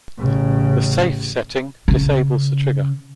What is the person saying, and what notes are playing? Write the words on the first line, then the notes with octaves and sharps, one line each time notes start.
The "safe" setting disables the trigger.
A1 C#3
C#3